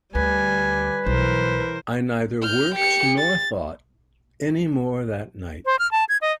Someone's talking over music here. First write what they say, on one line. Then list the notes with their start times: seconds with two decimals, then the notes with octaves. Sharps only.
I neither worked nor thought any more that night.
0.15 D2 G3 B4 G#5
1.07 B1 E3 A#4 C5
2.42 F6 G6
2.75 G4 C#7
3.18 A6
5.66 C5
5.79 F6
5.92 A5
6.09 G#6
6.21 D#5